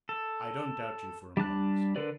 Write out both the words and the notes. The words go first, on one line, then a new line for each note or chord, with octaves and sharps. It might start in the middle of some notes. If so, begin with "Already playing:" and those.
"I don't doubt you for a moment, sir!"
A4
G3 D4 A5 F#6
D3 A#4 B4 D5